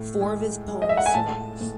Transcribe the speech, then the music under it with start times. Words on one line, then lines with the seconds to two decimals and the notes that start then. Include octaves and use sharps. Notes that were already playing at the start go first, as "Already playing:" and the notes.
Four of his poems survive.
Already playing: A2
0.21 G#3
0.68 G#3
0.82 D#5
0.89 E5
0.97 F#5
1.06 G#5
1.14 A2 A5
1.61 A2